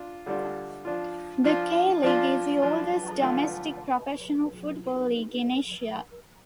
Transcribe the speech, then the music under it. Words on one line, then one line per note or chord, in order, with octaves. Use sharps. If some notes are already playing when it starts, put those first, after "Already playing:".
The K-League is the oldest domestic professional football league in Asia.
Already playing: D4 F4
D3 G3 D4 F4
F3 D4 F4
F3 D4 F4
F3 D4 F4
F3 D4 F4
D3 F3 A3 F4